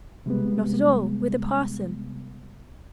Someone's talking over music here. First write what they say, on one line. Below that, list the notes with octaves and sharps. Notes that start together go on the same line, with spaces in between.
"Not at all; with a parson."
C3 G3 G#3 B3